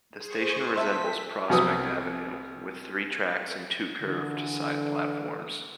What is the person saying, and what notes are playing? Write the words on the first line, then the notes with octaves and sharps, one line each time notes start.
The station resembles Prospect Avenue, with three tracks and two curved side platforms.
G#4 C5 C#6
C5 E5 A5 B6
C2 F#3 B3 D#6
D3 E3